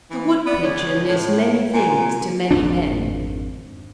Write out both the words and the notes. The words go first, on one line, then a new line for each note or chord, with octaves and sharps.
The woodpigeon is many things to many men.
E3
B3 D5
C#2 C#5
A2
A#2 G#5
G#1 F2 D#3 D4